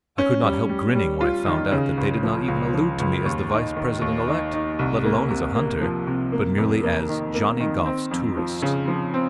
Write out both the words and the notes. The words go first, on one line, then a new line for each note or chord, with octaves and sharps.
I could not help grinning when I found out that they did not even allude to me as the Vice-President-elect, let alone as a hunter, but merely as "Johnny Goff's tourist."
C#4
G3
G3
G3
F4
D#3
C#3
C#2
F3
C#2
F3
C#2
D#2
D#4
D#3
D#2
D#4
D#4
C2
A#3
C3
A#3
F3
C3
A#3
F2
A#3
D#3
A#3
D#3
C4
F2
F3
C#3
F3
C4